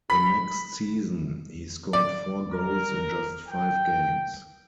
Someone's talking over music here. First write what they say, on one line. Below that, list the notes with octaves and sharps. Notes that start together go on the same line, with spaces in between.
The next season, he scored four goals in just five games.
B5 B6
D5
A#4
G5